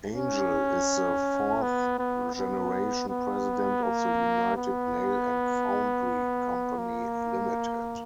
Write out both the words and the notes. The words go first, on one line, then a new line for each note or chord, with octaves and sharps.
Angel is the fourth-generation president of the United Nail and Foundry Company Limited.
C#4
B3
B3
B3
B3
A#3
B3
A#3